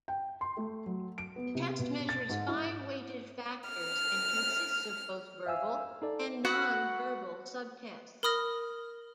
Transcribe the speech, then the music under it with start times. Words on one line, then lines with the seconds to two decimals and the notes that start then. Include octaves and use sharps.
The test measures five weighted factors and consists of both verbal and nonverbal subtests.
0.08 G5
0.41 C6
0.57 A3
0.86 F#3
1.18 D7
1.36 B3
1.55 C3
1.79 B2
2.09 A6
2.30 G#2
2.48 E4
3.71 F6
5.46 E5 F5 G#5 E6
6.02 D#4 A4 D5
6.45 F#4 F#5 B5
8.23 A#4 B5 D#6 F6 A#6